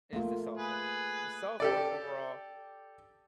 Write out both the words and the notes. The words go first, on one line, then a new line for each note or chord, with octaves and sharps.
is the cell phone. The cell phone overall
A3 A#3 F4
G#4 B4
G4 A4 D5